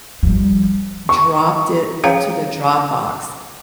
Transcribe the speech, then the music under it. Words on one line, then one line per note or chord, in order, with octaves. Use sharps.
dropped it into the drop box,
F3 G3
C#6
C#4 G#4 C#5 F5 G5 A#5